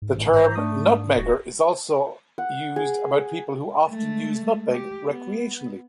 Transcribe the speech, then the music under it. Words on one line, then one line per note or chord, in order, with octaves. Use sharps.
The term "nutmegger" is also used about people who often use nutmeg recreationally.
G#2
G#1 A2
G#2 C5 A#5
A3 D4 D#6
D#1 F#4
F#5
G#4
G#3 A3
G4
B3